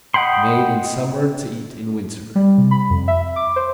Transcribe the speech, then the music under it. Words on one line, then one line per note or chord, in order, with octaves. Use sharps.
Made in summer to eat in winter.
D#5 F#5 G5 B5 C6
G3
C3
B5
F2
E5
D6
C5